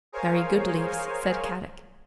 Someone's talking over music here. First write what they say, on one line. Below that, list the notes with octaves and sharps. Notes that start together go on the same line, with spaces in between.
"Very good leaves," said Kadok.
G#4 A#4 C5 C#5 F5 G#5